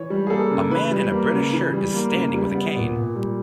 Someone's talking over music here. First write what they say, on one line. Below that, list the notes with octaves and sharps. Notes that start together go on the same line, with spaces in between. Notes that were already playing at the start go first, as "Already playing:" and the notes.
A man in a British shirt is standing with a cane.
Already playing: E3 C#5
G3
G#4
A#3 A4
C#3
E3 B4
G3
A#3
C#3
E3
G3
A#3
C#3
G3
B3
A#2
A#2
G3